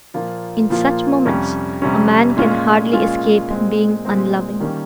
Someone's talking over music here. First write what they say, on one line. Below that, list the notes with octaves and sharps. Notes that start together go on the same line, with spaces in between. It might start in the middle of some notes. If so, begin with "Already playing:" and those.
In such moments a man can hardly escape being unloving.
A#2 F3 A#3 F4
A#2 F3 A#3 F4
F2 C3 G3 C#4
F2 C3 G3 C#4
A#2 G#3 C#4 F4
A#2 G#3 C#4 F4
A#2 G#3 C4
A#2 G#3 C4
D#3 G3 A#3 C#4